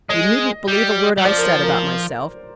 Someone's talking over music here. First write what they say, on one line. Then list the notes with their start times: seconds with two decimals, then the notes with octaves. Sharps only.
You needn't believe a word I said about myself.
0.09 G#3 D#5
0.68 G3
1.18 G3
1.25 F3 D5
1.37 A#4
1.43 C5
1.63 A#4